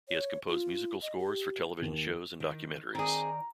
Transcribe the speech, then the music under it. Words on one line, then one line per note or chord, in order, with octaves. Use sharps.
He has composed musical scores for television shows and documentaries.
C#5
F4
D#5
G4
D#2
D#3
D#3 C4 G#4 D5 A#5